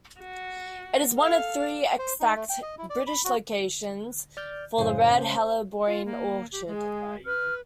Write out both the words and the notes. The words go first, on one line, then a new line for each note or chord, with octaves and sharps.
It is one of three extant British locations for the red helleborine orchid.
F#4
A4 F5
C5
D#4
A3
G5
D#5
E4
D5
B5
F#4
D5 F6 G6
F#2 A2 C#3 C5
C5
F4
A#3
G4
G#3 G#4
B4 F6